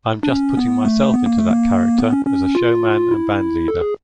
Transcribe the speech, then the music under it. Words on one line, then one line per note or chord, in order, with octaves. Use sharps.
I'm just putting myself into that character as a showman and bandleader.
D4
C#4
B3
A3
B3
A#3
A3
A#3
B3
C#4
C#4
F4
E4
A4
G#4